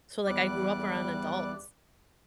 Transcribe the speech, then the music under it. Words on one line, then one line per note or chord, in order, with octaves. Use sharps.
So like I grew up around adults.
E2 G3 D5 D6 F#6